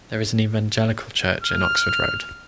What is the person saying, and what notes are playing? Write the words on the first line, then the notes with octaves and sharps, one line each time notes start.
There is an Evangelical church in Oxford Road.
F6